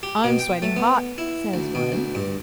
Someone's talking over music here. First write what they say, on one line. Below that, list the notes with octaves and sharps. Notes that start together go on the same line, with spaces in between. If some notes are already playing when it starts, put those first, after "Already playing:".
"I'm sweating hot," says one.
G4
B2
G5
A3
B3
E4
D2
B2
D2
G2